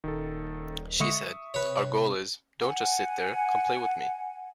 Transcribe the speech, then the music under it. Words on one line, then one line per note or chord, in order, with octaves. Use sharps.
She said: "our goal is, don't just sit there - come play with me".
D#1 D#3 A4
D3 G#3 E5 C#6 D#6 C#7
C3 B4 C#5
F#5 G#5